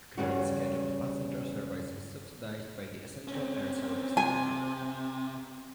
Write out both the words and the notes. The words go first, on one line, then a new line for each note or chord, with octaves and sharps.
Current scheduled passenger service is subsidized by the Essential Air Service program.
E2 G2 C#3 G3 F#4
C4 C#4
C3 G#5